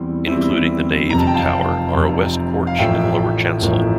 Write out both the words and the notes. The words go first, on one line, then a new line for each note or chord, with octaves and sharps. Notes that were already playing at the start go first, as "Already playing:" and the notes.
Including the nave and tower are a west porch and lower chancel.
Already playing: E2 E3 G3 C4 E4
E2 E3 G3 C4 E4
F1 F2 C3 A#5
A5
G5
F5 A5
F1 F2 C3
F5
A1 A2 F3 A#3 E5 G5
A1 A2 F3 A#3